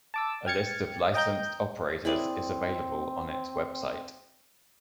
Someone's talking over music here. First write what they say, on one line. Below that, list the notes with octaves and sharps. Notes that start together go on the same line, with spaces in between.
A list of licensed operators is available on its website.
A5 D6 E6
G5 F6 G#6 A6 C#7
D#5 G5 A#5 G6
C4 E4 G#4 D5